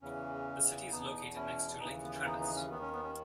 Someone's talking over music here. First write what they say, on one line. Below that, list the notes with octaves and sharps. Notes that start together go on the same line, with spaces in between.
The city is located next to Lake Travis.
E2 C#3 E3 C#4
E2 B2 B3 D#4
C#4 E4
D#2 C#3 E3 B3 D#4
B3
C#4
B3 D#4
B3 D#4
C#4
D#2 D#3 B3
C#4
B3
C#4